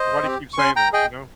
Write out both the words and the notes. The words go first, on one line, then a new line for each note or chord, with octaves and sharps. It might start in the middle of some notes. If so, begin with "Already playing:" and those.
"Why do you keep saying this," you know?
Already playing: C5 D#5
C4 G4
C#6
C#4 G#5 C6
G5 A#5
G#4 D#5 G5